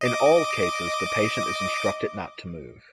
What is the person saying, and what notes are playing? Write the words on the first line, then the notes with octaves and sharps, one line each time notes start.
In all cases, the patient is instructed not to move.
D#5 D6